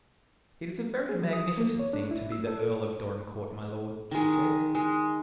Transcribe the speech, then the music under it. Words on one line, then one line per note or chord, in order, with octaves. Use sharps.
"It is a very magnificent thing to be the Earl of Dorincourt, my lord," she said.
G#4
F#3
D#6
A#3
C#5
D4
E4
E6
A4
D#3 G#3
G#3